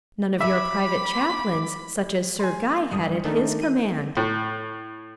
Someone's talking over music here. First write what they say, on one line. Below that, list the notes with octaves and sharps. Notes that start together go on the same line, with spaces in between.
None of your private chaplains, such as Sir Guy had at his command.
E5 B5 D6
G#5 C6
G2 D#3 D#6
D#3 A3 D4 D#4
E3 D#7
A2